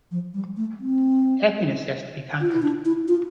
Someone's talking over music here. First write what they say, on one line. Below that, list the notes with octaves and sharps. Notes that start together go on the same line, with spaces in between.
Happiness has to be conquered.
F3
G3
A3
C4
F4
E4
D4
E4
F4